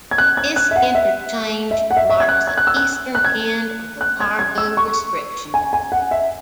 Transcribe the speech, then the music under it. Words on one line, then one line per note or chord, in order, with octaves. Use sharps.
This interchange marks the eastern end of the cargo restrictions.
G#6
F#6
G#6
F#6
E5
F#5
E5
E5
F#5
E5
E5
G#6
F#6
G#6
F#6
E6
F#6
F#6
G#6
F#6
G#6
G#6
E6
C#6
G#5
G#5
F#5
E5